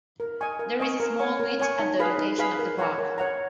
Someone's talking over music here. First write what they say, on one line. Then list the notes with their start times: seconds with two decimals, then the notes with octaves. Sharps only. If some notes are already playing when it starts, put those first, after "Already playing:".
There is a small beach at the location of the park.
0.20 A#4
0.41 D#5 G#5 C#6
0.59 A#4
0.80 D#5 G#5 C#6
1.00 A#4
1.19 C#5 G#5 C#6
1.40 A#4
1.60 C#5 G#5 C#6
1.79 D#4
1.99 G#4 B4 F5 B5
2.18 D#4
2.39 G#4 B4 F5 B5
2.59 A#4
2.78 C#5 F#5 A#5
2.98 A#4
3.18 C#5 F#5 A#5